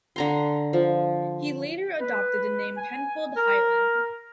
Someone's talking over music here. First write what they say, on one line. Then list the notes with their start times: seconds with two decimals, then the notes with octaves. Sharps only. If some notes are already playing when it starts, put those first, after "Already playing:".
He later adopted the name Penfold Hyland.
0.16 D3 A#5 C6
0.73 F3
2.00 B4
2.77 G#5
3.37 A#4